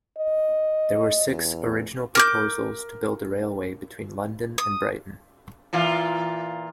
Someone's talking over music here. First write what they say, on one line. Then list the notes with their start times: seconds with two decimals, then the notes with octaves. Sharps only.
There were six original proposals to build a railway between London and Brighton.
0.19 D#5
1.29 E2
2.15 A#4 D6 G6
4.58 D#6
5.73 A#2 E3 F4